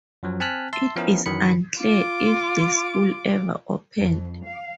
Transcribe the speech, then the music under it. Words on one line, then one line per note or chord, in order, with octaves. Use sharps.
It is unclear if the school ever opened.
F#2 F3 F#3
C4 G#5 A5 F6 F#6 B6
E5 A5 C6 E6
F3 B3 C#4 E4 A#4
F#2 D#3 E3 F#3 B5 C#7
F4 D6
F2
F5